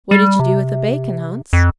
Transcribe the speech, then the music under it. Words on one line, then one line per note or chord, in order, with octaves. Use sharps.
'What did you do with the bacon, Hans?'
G3
C3
F2